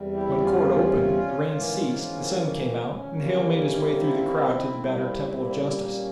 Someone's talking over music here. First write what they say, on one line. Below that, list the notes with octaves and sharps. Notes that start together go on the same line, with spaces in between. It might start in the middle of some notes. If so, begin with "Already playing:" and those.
When court opened, the rain ceased, the sun came out and Hale made his way through the crowd to the battered temple of justice.
Already playing: E2 C3 G3
E4 G4
C#4 F4
G#2 E3 A#3
C4
C#4
C4
C#4
C3 G3 A#3
C4
C#4
C4 E4
A#2 G3 A#3
E4
C#4
C4
C#4